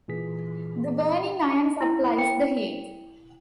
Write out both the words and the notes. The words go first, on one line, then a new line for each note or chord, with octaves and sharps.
The burning iron supplies the heat.
A#2 E3 G#4 B6
E4
G5